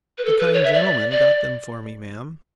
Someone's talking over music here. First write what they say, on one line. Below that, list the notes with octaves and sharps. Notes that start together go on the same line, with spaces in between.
"The kind gentleman got them for me, ma'am."
B4
A4
B4
C#5
E5
D5
D5